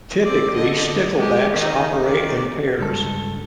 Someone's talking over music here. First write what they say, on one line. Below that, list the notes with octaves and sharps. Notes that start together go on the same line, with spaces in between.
Typically, sticklebacks operate in pairs.
C4 D5
D3 D#5
G#3 G4
D#3 D#4
D#3 D5
C#2 G2 A4